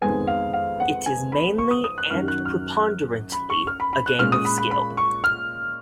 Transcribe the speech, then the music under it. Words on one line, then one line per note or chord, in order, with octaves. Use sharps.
It is mainly and preponderantly a game of skill.
F2 D#3 G#3 B3 G#5
F5
F5
F#5
G#5
B5
C#6
D#6
D#6
F#6
F#2 D#3 F#3 F6
F#6
F6
B5
C#6
F6
B5
B5
F#6
A#2 G#3 C#4 F6
D#6
B5
B5
B5
C#6
F6